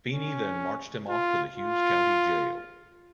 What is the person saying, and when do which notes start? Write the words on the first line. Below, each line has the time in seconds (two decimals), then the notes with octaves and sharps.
Feeney then marched him off to the Hughes County jail.
0.12 C#4
1.09 F4
1.57 F4